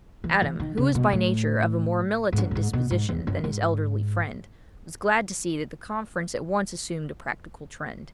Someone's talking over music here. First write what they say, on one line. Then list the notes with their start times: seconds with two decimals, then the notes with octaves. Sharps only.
Adam, who was by nature of a more militant disposition than his elderly friend, was glad to see that the conference at once assumed a practical trend.
0.24 E3
0.42 E3
0.60 D#3
0.77 C#3
0.95 B2
1.12 A2
2.33 G#2
2.38 F#2
2.51 A2
2.55 G#2
2.73 B2
2.91 G#2
3.09 E2
3.27 F#2
3.44 G#2